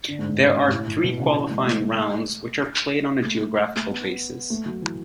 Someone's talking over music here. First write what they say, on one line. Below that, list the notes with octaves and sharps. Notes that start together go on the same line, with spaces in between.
There are three Qualifying rounds, which are played on a geographical basis.
D3
G#2
G#2
G#2
G#2
A2
A2
B2
C#3
E3
G#3
A3
A3
A3
A3
A3
A3
B3
A3
F#3
E3